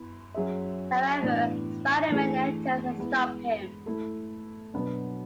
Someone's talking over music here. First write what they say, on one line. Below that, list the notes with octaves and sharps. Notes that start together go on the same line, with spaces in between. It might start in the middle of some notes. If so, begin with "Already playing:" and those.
However, Spider-Man enters and stops him.
Already playing: B3 E4
F#3 C#4 G#4 C#5 E5
A2 E3 B3 D4
E3 A3 D4 G#4
G#3 B3 E4
A3 E4 A4
B2 F#3 B3 D4